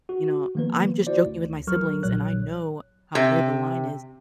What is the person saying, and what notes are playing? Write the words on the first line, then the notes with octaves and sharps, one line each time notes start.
You know? "I'm just joking with my siblings, and I know how where the line is."
F#4
D#3 F3 A#3 B3 B4
E4 F#4 C5 D5
D2
G#1 F#3 A#4 C#6 F6
A#1 A#2 F#3 C#5 F#6
C3